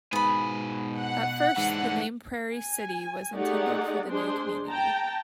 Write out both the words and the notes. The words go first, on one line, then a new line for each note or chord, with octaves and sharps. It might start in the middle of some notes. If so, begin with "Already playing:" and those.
At first the name Prairie City was intended for the new community.
G#2 B2 B3 G#5 B5
F#5
G#2 E3 D4
G#5
A3 D#4 G4 G#4 D5 F#5
G#3 D4 G#4 C5 C6
G5 A5 A#5